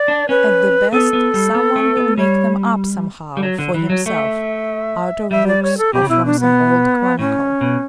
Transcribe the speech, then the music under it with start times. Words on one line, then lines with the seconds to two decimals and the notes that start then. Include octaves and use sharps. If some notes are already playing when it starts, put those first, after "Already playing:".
At the best someone will make them up somehow for himself out of books or from some old chronicle.
Already playing: D5
0.08 D4
0.29 C#4 B4
0.92 B3 A4
1.13 B3
1.34 G3
1.55 B3
1.76 A3
1.97 B3
2.18 G3 C#5
3.37 G3
3.43 F#3
3.58 D3
3.74 E3
3.90 F#3
4.06 A3 E5
5.31 G3 E5
5.47 D5
5.63 C#5
5.78 A4
5.93 B2 G4
6.02 C#3
6.09 B2 E4
6.25 D4
6.40 B3
7.19 A2 C#4
7.61 B2